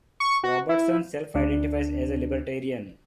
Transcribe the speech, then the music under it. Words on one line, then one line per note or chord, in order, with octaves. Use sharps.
Robertson self-identifies as a libertarian.
C#6
F#4
E4
D2 D4